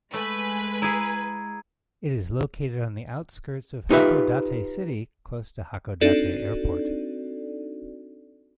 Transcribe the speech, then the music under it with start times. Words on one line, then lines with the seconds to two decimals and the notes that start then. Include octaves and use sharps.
It is located on the outskirts of Hakodate city close to Hakodate Airport.
0.14 G#3 A3 B4 G#5
0.82 E4 G#4 A#5 G#6
3.90 D#4 F4 G4 B4 E5
6.01 C4 D4 D#4 F#4 A4 D5